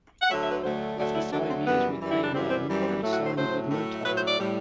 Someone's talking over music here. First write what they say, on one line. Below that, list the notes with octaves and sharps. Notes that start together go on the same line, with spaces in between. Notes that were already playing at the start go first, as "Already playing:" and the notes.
After five years with A and M, he signed with Motown.
F#5
D2 D3 F#3 A3 E5
E5
B4
D2 D3 F#3 A3 C5
D2 D3 F#3 A3 D5
E4
D2 D3 F#3 A3 D4
C4
F#2 E3 G3 B3
F#2 E3 G3
E4
D4
F#2 E3 G3 C4
C4
F#2 E3 G3
C4
B3
A2 F#3 A3
F#4
C5
A2 F#3 A3 C5
A2 F#3 A3
A2 F#3 A3 B4
C5
D5
A2 G3